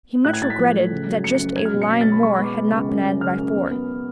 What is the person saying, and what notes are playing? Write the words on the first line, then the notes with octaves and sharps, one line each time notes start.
He much regretted that just a line more had not been added by Ford.
A2 F#6
G#6
A2 A6
B6
F3
A3
C#3
F#3
F#2 C#7
C#7
F#2
F#3 G#6
F6
B2
C#7
B2 B6
A6
B2
B5
G#3 C#6
B5
B3
D6
G#3
C#2
F#2
C#3
C#3 F6
F#2
B3
B3